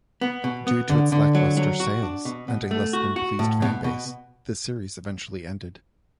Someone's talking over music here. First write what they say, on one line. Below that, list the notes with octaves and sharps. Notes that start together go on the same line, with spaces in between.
Due to its lackluster sales and a less-than-pleased fanbase, the series eventually ended.
B3
B2
B3
D3
D3
F#3
F#3
F#4
D4
B2
B2
A3
F#4
F#4
A2
B2
B2